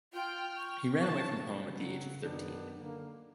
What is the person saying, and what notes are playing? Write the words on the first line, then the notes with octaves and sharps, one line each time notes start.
He ran away from home at the age of thirteen.
F4 G5 F6
C#6
A5
C#3 F#3
F#2 D#3 B3 D4
D3 A#3